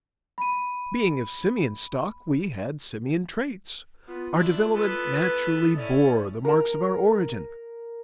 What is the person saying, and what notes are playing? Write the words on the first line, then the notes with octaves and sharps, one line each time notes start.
Being of simian stock, we had simian traits. Our development naturally bore the marks of our origin.
B5 D#7
B3 F4
D4 E4
B3 A4 B4
A3 C#4 E4 D5
A#4 A#5